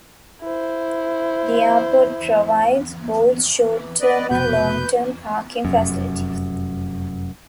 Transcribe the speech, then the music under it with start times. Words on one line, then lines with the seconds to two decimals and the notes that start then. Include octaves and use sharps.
The airport provides both short-term and long-term parking facilities.
0.41 E4 C5
3.58 E3
4.00 B4 D5 D#5
4.31 F1 B2 B4 G6
5.65 F1 F#2